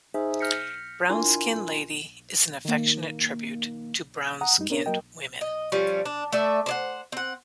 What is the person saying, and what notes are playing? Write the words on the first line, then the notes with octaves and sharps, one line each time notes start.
"Brown-Skin Lady" is an affectionate tribute to brown-skinned women.
D#4 G#4 C5 E5 G#5
F6 G6 A#6 B6 C#7
D4 E4 F4 A#4 G#5 C6
D#3 A#3
F#5 A#5 D#6
F#2 G3 G#3 D#4
B3 C#4 D4 A#4 C#5
F#3 A#3 A#4 D#5 G5
D#5
F3 G3 C#4 B4
D4
A3 D5 E5
C5 D5 F#5
C4 F#5